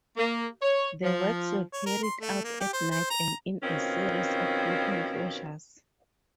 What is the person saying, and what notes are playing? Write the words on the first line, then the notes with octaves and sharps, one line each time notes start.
The works were carried out at night and in a series of weekend closures.
A#3
C#5
F3
C#5
A#4
C6
A3
A#3
G4
C5
C5
A#5
B2 D#3 F3 C4 C#4